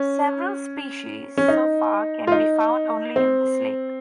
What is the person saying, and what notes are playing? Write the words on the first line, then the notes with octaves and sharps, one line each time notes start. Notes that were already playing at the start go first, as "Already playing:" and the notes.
Several species so far can be found only in this lake.
Already playing: C#4
C#4
D#4
F4
D#4
C4